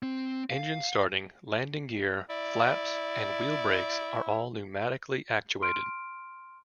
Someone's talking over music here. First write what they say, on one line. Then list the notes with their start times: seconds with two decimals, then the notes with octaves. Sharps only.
Engine starting, landing gear, flaps, and wheel brakes are all pneumatically actuated.
0.03 C4
0.50 F5
2.30 E4 D5
5.62 C6 F6 D7